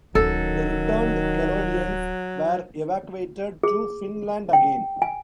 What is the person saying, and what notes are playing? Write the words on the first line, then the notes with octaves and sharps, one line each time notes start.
The returned Karelians were evacuated to Finland again.
D1 D#3 F#3 C#4 A4
G#4
G5
G#5